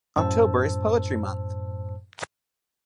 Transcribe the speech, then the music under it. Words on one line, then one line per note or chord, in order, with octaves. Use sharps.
October is Poetry month.
F#2 A2 C5 A5 E6